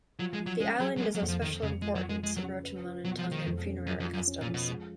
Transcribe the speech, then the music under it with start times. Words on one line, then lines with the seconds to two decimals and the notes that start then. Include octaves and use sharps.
The island is of special importance in Rotuman and Tongan funerary customs.
0.19 F3 F#3
0.33 G#3
0.39 F3
0.46 F#3
0.60 G#3 C#4
0.80 F#3 G#4
0.97 F#3
1.00 G#3 A#3
1.15 F#3
1.21 F2
1.28 F3
1.41 F2 D#3
1.61 F2 C#3
1.82 F3 G#3
1.95 F#3
2.03 F3
2.09 G#3
2.23 F3 G#3
2.37 F#3
2.43 C#3
2.64 B4
2.84 F4
3.05 B2 F#3
3.19 F3
3.25 G#3
3.31 D#3
3.46 F2
3.66 C#4
3.87 F#2 F3
4.00 F2
4.07 F4
4.13 F#2
4.27 C#4
4.41 A#2
4.48 F3
4.54 B2
4.69 G#3